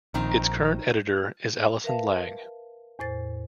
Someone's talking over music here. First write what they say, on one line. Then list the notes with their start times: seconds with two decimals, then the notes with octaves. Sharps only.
Its current editor is Alison Lang.
0.14 A#1 D#3 C4 D#4
1.84 A#4 B4 E5 F5 A5
2.99 E2 A2 C5 A6